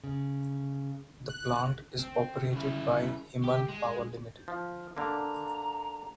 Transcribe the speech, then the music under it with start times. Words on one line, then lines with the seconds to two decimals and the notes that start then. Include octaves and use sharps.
The plant is operated by Himal Power Limited.
0.04 C#3
1.29 F#6
2.00 C4
2.53 C#3 E4
3.44 G4
3.69 G#3
4.48 F3
4.97 D3 A#3 A#5